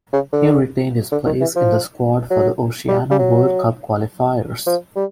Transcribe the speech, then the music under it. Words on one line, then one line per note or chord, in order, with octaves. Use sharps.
He retained his place in the squad for the Oceania World Cup qualifiers.
C#3
D3
D3
D#3
E3
F3
F#3
G3
G3
F#3
F3
G3